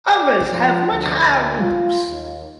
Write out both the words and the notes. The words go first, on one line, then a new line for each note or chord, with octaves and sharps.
Others have much higher roofs.
D5
F3
D2
F4
D#2